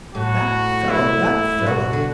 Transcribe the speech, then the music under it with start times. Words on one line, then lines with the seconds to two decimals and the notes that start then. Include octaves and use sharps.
That fellow--that fellow!'
0.15 A2 F#4
0.90 E4
1.59 A2
1.66 B2 F#4
1.93 D3